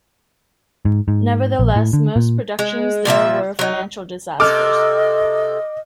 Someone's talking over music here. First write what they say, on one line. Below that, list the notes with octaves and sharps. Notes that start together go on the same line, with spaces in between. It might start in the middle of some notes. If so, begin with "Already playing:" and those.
Nevertheless, most productions there were financial disasters.
G#2
G#2
A#1
A2
D3
A#2
G#3
A#2 F3 G#4 E5
F#3 D#4
C3 A4 D#5 D6 F6